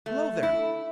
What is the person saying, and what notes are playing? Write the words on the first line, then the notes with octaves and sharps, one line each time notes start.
Below there!
A3
E4